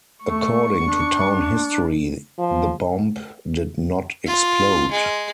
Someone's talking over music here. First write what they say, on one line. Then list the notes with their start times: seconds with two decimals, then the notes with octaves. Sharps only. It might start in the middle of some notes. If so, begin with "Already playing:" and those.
According to town history the bomb did not explode.
0.23 A3 C#6
0.85 D4
2.38 F3
4.26 F4
4.91 G#3